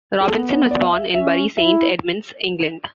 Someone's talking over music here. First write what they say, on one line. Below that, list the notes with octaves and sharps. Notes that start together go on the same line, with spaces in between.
Robinson was born in Bury Saint Edmunds, England.
G#4
B3 A4
C#5
D5
F5
E5
C#4 E5
E4 E5